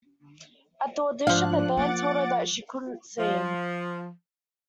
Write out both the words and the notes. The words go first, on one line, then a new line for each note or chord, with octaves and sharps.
At the audition the band told her that she couldn't sing.
G#2 F3 D4 F5 F#6
A#3 F#5 D6 A6
F3